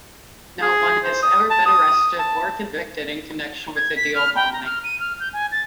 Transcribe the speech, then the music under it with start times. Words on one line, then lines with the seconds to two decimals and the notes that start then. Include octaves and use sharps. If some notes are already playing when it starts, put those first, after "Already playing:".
No one has ever been arrested or convicted in connection with the Deal bombing.
0.62 G#4
1.04 C5
1.23 D#6
1.50 A5
1.66 D#6
2.19 A5
3.76 G#6
3.96 B6
4.15 F6
4.36 G5
4.53 A#5
4.65 F6
4.84 D#7
5.00 F6
5.20 G6
5.33 G#5
5.52 A6